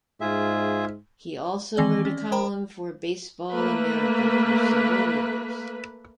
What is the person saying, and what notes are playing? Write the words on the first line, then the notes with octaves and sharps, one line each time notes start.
He also wrote a column for "Baseball America" for several years.
G#2 F4 G#4 E5
D#3 E3 C4 D5 G7
C#4
A#4 C5 G5 A#5 B5
A3 A#3 B4